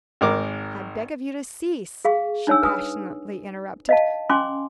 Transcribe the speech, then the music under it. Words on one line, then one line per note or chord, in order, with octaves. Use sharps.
"I beg of you to cease," she passionately interrupted.
G#1 G#2 A#4 D6
G#4 F5 C#6
D4 D#4 C#5 G#5 E6
B4 G#5 D#6
D#5 F5 A5
C#4 G#5 C6 D6